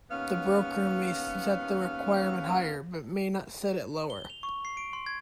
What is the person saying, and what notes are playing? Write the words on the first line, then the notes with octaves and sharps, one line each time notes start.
The broker may set the requirement higher, but may not set it lower.
D#2 B3 C#4 F5
G7
F7
C#6
C7
D7
C6
G#6